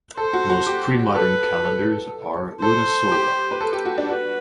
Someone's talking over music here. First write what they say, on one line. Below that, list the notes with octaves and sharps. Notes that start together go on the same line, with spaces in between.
Most pre-modern calendars are lunisolar.
A4 C5
F#4
F#4
G4
A4 B4
A4
A4 C5
G4
B4
A4
G4
F#4
D4
F#4 B4